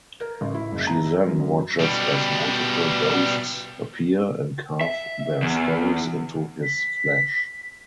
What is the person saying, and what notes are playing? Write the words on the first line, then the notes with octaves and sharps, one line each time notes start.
She then watches as multiple ghosts appear and carve their stories into his flesh.
A#4
A1
E4
F#1
A#5
F#2
B2 G3
E5
E2
B6